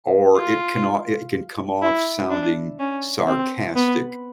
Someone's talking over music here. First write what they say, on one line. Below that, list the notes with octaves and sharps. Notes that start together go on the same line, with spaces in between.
Or it cannot it can come off sounding sarcastic
F4
E4
D4
C#4
C4
B3